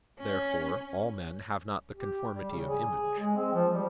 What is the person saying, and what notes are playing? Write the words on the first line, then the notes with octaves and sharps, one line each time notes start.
Therefore all men have not the conformity of image.
C#4
G4
G3
C#3
G#4
G#3
C4
F3
G3